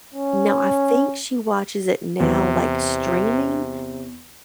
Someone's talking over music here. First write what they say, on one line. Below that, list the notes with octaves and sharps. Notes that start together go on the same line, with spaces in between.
no, I think she watches it now, like, streaming,
C#4
E2 C3